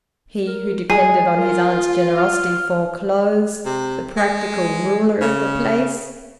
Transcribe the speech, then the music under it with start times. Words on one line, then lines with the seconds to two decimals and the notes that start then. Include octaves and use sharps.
He, who depended on his aunt's generosity for clothes, the practical ruler of the place!
0.47 A#4
0.90 G#3 G#4
1.37 F4 A#4
2.18 F6
3.65 C3
4.17 G#3
5.21 C#3